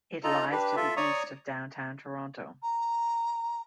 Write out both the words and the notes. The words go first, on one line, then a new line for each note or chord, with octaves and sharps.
It lies to the east of Downtown Toronto.
D#4 F4 A4 D#5 A#5
D4 G4 B4
F4 A4 E5
C#5 D5 A#5 C#6 D#6
A#5